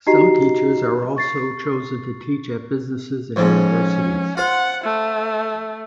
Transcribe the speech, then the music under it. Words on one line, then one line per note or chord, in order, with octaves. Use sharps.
Some teachers are also chosen to teach at businesses and universities.
D#4 F#4 G4 D#5 A#5 C7
C#6 A6 C7
F2 G#2 C#4
F4 C5 F#5
A3